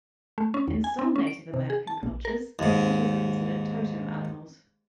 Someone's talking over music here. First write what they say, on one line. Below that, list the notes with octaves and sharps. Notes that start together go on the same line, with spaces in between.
In some Native American cultures, otters are considered totem animals.
A3
C#4
D#2
G#5
C4
C#4
D7
C3
G#4
A5
A#1
A#4
D#2 G#2